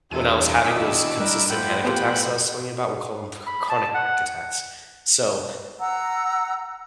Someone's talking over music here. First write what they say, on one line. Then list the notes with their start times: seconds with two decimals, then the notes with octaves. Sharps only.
when I was having those consistent panic attacks that I was telling you about, we'll call them chr chronic panic attacks, so,
0.11 E2 G2 C3 A4 D#7
0.64 B2 D#3 D4 E4 D#5 D#6 B6
1.20 G3 A#4 B4 D#5
1.49 A2 F3 F#5 G5 B5
1.84 B3 G4
3.46 B5
3.69 A5
3.94 F#5
5.79 F#5 A#5 E6